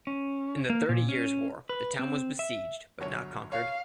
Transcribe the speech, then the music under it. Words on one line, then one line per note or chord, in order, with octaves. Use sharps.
In the Thirty Years' War, the town was besieged, but not conquered.
C#4
A#3
A#2
C#4
B4
C4
E5
G1 F#3 C#5
C#5 F5